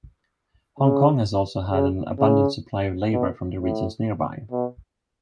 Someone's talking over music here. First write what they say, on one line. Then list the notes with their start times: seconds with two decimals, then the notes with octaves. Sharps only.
Hong Kong has also had an abundant supply of labour from the regions nearby.
0.80 C#3
1.72 C#3
2.19 C#3
3.12 B2
3.58 A2
4.51 B2